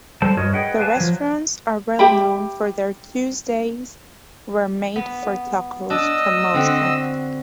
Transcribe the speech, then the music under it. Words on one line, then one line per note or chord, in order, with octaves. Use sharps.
The restaurants are well known for their "Tuesdays Were Made for Tacos"promotion.
G3 A4 C5 A5
G2 F#4 A#4 C#5 D#5
G#4 B4 D#5 F#5 G5
B4 D5 F5 G#5 A5
F3 F#3
G4 E5 G5 B5
B3
D4 D#5 E6
D3 C4 F#4